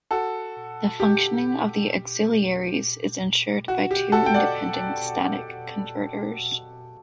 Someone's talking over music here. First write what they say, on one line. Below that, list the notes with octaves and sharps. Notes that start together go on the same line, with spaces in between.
The functioning of the auxiliaries is ensured by two independent static converters.
F#4 A4
G4
F#4
G4
F#4 A4
G5
D5 F#5